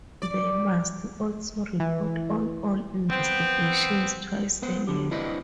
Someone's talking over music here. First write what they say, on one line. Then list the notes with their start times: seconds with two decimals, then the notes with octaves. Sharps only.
They must also report on all investigations twice a year.
0.22 D5
1.80 E3
3.10 B3 C4
4.62 B3 B4 C5
4.87 D3 G4
5.11 C4 D4 E4 B4 C5 D#5